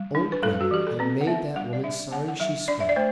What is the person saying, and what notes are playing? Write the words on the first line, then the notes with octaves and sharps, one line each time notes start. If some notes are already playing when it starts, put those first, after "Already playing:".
Old Grammont had made that woman sorry she spoke.
Already playing: G3
D4
B4
G3 A4
F#4
E3 G4
A4
C4 B4
F#5
B3 E5
G3 F#5
D5
D4 E5
B3 F#5
F#5
F#3 E5
D4 D5
E5
D5
A3 C5